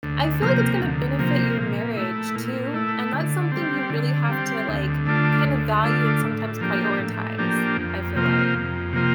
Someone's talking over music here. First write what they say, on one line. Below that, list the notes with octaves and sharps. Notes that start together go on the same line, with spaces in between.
I feel like it's gonna benefit your marriage too, and that's something you really have to, like, kinda value and sometimes prioritize, I feel like,
D2
C3 F3 A#3
D2
C3 F3 A#3
A#2
A3 E4
A#2
A3 E4
D3
G3 C4
D3
G3 C4
D2
D3 A3 D4 F4
D2
D3 A3 D4 F4
A2
F3 A#3 D4 G4
A2
F3 A#3 D4 G4
F2
C3 F3 A#3 F4
F2
C3 F3 A#3 F4